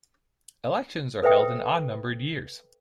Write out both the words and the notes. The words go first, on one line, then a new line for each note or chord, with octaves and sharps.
Elections are held in odd-numbered years.
A4 B4 C5 E5 G5 D#6